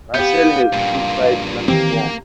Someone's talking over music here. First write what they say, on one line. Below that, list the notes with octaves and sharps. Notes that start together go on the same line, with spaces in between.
Rushall has two side platforms.
B3 G4 F5 G6
G2 A#2
D#3 E3 A#3 C4 G4